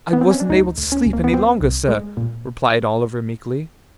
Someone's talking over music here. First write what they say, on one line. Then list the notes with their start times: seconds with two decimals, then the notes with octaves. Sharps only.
'I wasn't able to sleep any longer, sir,' replied Oliver, meekly.
0.13 B3
0.21 C4
0.31 C#4
0.40 D4
0.49 D2 D#4
0.78 D2
0.92 C#4
1.06 D2
1.13 A#3
1.24 B3
1.33 F3 C4
1.61 C2
1.88 G#3
2.17 A#2